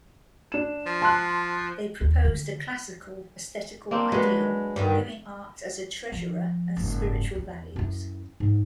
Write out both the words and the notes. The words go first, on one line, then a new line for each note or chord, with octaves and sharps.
They proposed a classical aesthetical ideal, viewing art as a treasurer of spiritual values.
D4 E7
F3
A5 C6 F#6
D#2
D3
A#3 C4 D4
F#3 G#3 B4
G2 D3 D#3
F3
F#1 G#2
E2
F#2 E4
G#2